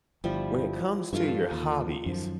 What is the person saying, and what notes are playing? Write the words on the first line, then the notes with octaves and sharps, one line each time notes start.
when it comes to your hobbies,
G1 F3 G3 E4
G2 E3 F4 A4 C#6
D#2
F#2 D#3 F3